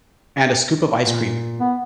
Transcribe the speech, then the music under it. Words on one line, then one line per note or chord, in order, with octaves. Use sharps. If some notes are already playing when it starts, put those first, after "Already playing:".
and a scoop of ice cream.
A#2
B3